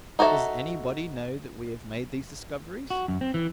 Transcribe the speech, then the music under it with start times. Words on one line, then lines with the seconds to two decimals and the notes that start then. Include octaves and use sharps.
"Does anybody know that we have made these discoveries?"
0.19 D#4 F#4 A4 C#5 E5
2.90 F#4
3.08 F#2
3.21 C4
3.34 E3